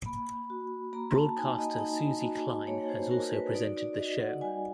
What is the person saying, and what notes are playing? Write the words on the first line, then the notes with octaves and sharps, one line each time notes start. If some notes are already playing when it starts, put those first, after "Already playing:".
Broadcaster Suzy Klein has also presented the show.
A#3 B5
F#4
A#3 A#5
A5
D#4 G#5
D#5
D#4
F#4
A#3 C#5
C5
F#4 A#4
B4
D#4 D5
D5
F#4 D#5
F#5
G3 G#5